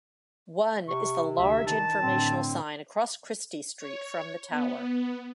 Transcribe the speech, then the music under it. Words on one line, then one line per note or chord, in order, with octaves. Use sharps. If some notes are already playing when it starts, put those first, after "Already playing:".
One is the large informational sign across Christie Street from the tower.
C3 C#6
D2 E5
D#3 A5
A2 D3 C4
C#5
B3